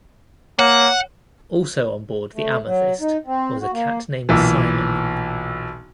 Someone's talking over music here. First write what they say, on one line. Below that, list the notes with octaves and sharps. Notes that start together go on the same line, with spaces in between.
Also onboard the "Amethyst" was a cat named Simon.
A#3 C#5 F#5
A3
F#3
D#4
C4
F#4
A#3
B1 A#2 E3